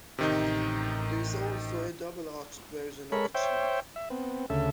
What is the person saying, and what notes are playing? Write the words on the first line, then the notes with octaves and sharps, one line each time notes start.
There is also a double-arched version of a chief.
A1 C3 D#3 D#4
G#3 A4 A#4 C#5 B5
C5 C#5 E5 G5
E5
B3 C4
D2 C#3 A4 E5